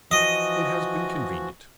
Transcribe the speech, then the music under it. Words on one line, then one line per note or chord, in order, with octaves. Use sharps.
It has been convenient.
E3 F3 F#4 D#5